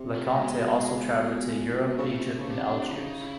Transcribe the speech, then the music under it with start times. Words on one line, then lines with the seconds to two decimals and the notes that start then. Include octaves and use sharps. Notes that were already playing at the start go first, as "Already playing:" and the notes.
LeConte also traveled to Europe, Egypt and Algiers.
Already playing: C3
0.14 A3
0.36 B2 G#3
1.98 C#3
2.07 C3 A3
2.39 C#3
2.50 C3 D4
2.92 C#3 D#4
3.21 E4